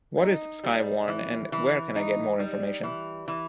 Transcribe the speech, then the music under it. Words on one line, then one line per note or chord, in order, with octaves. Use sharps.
What is Skywarn and where can I get more information?
D#4
G3
E3
E3
D#4
G3
E3
E3